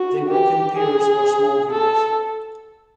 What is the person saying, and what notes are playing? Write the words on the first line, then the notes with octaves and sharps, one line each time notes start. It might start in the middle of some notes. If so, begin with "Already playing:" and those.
They walk in pairs or small groups.
Already playing: F#4
G4
G#4
A4